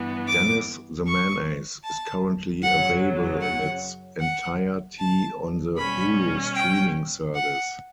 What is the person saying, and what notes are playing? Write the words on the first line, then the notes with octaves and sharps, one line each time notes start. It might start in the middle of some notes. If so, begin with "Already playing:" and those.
"Dennis The Menace" is currently available in its entirety on the Hulu streaming service.
Already playing: G2 E3 B3
D6
C#6
A5
F#2 C#3 F#3 F#5
F#5
F#5
A5
B2 G3 C#4 B5
G5
F#5